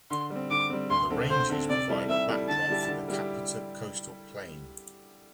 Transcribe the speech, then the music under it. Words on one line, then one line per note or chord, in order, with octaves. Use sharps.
The ranges provide a back-drop for the Kapiti coastal plain.
D3 C6
G3
C4
D3 D6
G3 C4
D2 C6
D3 C4 A4
D2 C5
D3 C4 A4
C3 D5
G3 E4 A4
C3 E5
G3 E4 A4
D3 A5
G3 E4 G4
D3
G3 E4 G4